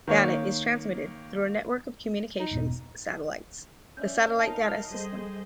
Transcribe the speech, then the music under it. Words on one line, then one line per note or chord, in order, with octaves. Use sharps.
Data is transmitted through a network of communications satellites; the Satellite Data System.
D#3 A#3 C#5
D#4
E1 G#2 B2
C#4 D5 E5 G6
D#4 A#4 F5 A5
G3 G#4 A4 C5 D#5